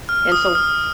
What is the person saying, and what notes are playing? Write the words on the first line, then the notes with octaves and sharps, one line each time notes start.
And, so
F6
D#6
F6